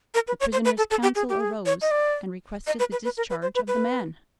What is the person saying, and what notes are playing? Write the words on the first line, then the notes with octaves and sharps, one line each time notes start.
The prisoner's counsel arose and requested the discharge of the man.
A#4
B4
C#5
C5
B4
A4
A4
G4
G#4
G4
G#4
C#5
D#5
D5
D#5
B4
B4
B4
A#4
B4
C5
B4
B4